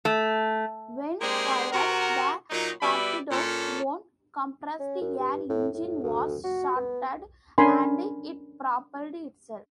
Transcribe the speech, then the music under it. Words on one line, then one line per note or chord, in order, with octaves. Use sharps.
When fired, the torpedo's own compressed air engine was started and it propelled itself.
A3
G#3 A#3 C4 D4 G4 G#4
C3 F#4 A#4
A#2 F#3 D#4
B2 G3 D5 E5 B5
A#2 C#4 A4
C#4
F#2
G2
A2
A2
D2
F#4
B3
C#4 D4 A#4 G#5 B5 C6